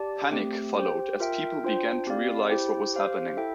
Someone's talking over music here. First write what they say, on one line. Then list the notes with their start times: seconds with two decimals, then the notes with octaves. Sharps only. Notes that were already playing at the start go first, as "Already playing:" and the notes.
Panic followed as people began to realize what was happening.
Already playing: G4 D5 A5
0.31 A3 C4 G4
0.76 G4 C5 G5
1.20 F4 A#4 E5 G5
1.63 D4 F4 C5 G5
2.07 C4 G4 D5 F5
2.50 E4 G4 C5 G5
2.94 G4 C5 F5
3.37 E4 A4 E5 G5